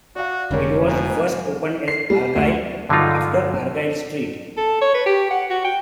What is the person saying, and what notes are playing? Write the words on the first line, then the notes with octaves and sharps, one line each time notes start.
It was first opened as Argyle, after Argyle Street.
F#4 D5 F5
F1 D#2 D3 G3 G#3 C#4 A#4
G#1 B2 G#5 A#5
C7
G3
D2
G2 D3 F#3 G#3 D#4 F4
A4
C#5
B4
G4
F#5
F#4
G5